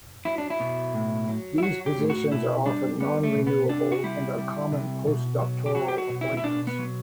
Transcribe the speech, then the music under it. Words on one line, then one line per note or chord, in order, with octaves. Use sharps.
These positions are often non-renewable and are common post-doctoral appointments.
F#3 E4
D4
E4
B2
A2
F#3
E4
F#3 F#4
G4
A2
F#4
B2 E4
G3 D4
G3 B3
A3
B2
B3
C3 D4
F#4
G3 E4
G3
C3
B2
F#3
G4
F#3 F#4
G4
F#4
B2
E4
E4
B2 D4
B3
F#3